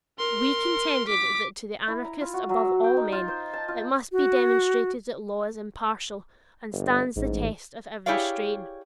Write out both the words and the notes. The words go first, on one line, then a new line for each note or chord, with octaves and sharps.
We contended that to the anarchist above all men it must be demonstrated that law is impartial and stands the test of every strain.
A#4 C6
D6 B6
E4
A#5
F4
F#4
F#3
E6
G5
D#4
F4
C5
A5
F4
F#4
G1
A1 G#2
E4 G4 G#4 C#5 D5 F5